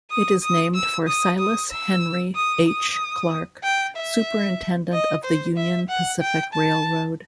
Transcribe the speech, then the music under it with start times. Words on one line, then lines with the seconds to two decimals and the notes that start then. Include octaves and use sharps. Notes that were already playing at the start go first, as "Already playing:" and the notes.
It is named for Silas Henry H. Clark, superintendent of the Union Pacific Railroad.
0.11 D#6
0.42 D#6
0.74 E6
1.07 D#6
1.39 D#6
1.71 E6
2.35 D#6
2.67 D#6
3.63 G5
3.96 E5
4.92 D#5
5.24 C5
5.56 E5
5.88 F#5
6.21 G5
6.53 A5